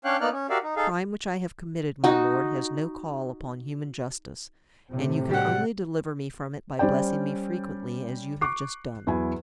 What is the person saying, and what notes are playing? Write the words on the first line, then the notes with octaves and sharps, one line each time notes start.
"The crime which I have committed, my lord, has no call upon human justice, and you can only deliver me from it by blessing me frequently, as you have just done."
C#4 D4 C#5 F5 G5 F#6
A#3 B3 D#4 D5 F6 F#6
C#4
F#4 G4 A#4 D5 E5 F5
D#4
D#4 G#4 A4 F5
D#4 F#4
A2 C3
G3 F#4 G4 F#5
G3 C#4 C5 D5 G5
C#6 D6 F#6 C7
E2 F#3 E4 G#5